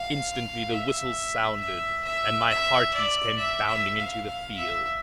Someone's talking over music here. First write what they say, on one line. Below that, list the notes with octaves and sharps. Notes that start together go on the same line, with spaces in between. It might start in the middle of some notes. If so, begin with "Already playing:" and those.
Instantly the whistles sounded, and my hearties came bounding into the field.
Already playing: F5
E5
E5
E5
E5
D5
E5
E5
F5
F5
E5